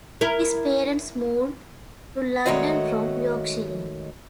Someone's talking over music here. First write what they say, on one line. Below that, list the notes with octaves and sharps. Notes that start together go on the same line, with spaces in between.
His parents moved to London from Yorkshire.
E4 A#4
D#3 G#3 A3 F#4 C#5 D#5